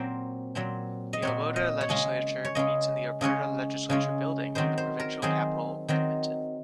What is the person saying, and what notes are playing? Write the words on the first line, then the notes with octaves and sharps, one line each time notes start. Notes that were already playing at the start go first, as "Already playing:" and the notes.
The Alberta legislature meets in the Alberta Legislature Building in the provincial capital, Edmonton.
Already playing: A#2 F#3 C4 A#4 C5
A#2 F#3 C4
D#5
A#2 F#3 C4 C#5
D#5
C#5
C#3 G#3 C#4 D#5
C#5
C#3 G#3 C#4 D#5
C#3 G#3 C#4 C#5
C#3 G#3 C#4
D#3 F#3 C4 C5
C5
A#4
D#3 F#3 C4 G#4
D#3 F#3 C4